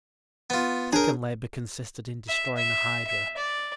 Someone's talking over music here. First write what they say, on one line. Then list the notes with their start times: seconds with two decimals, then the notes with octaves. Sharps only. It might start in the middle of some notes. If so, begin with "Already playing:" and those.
The second labor consisted in destroying a hydra.
0.50 B3 F4
0.93 D4 G#4 A#4 C#5 G6
2.28 E5
2.57 E5
3.07 E5
3.37 D5